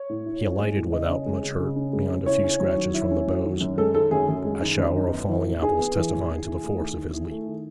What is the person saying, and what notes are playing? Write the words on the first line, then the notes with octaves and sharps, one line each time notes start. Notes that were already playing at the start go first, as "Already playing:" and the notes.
He alighted without much hurt beyond a few scratches from the boughs, a shower of falling apples testifying to the force of his leap.
Already playing: C#5
A2
E4
C#4
G#3
A2
C#3 D#5
C#4
G#3
C#3
C#3
C#4
G#3
C#3
E4 C#5
C#4
F#3
D#3
E4
C#4
F#3
D#3
F#2
G#3 A4
D#3 A4
F#2 G#4
F#2
G#3
D#3
F#2
D#4
B3
E3
A2
D#4 G#4
B3
E3
A2
D#3
E4
A3
D#3
D#3
E4
A3
D#3